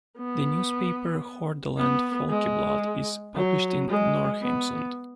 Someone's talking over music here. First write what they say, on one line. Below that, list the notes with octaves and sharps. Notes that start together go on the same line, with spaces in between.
The newspaper "Hordaland Folkeblad" is published in Norheimsund.
B3
B3
G#3
F#3
G#3
B3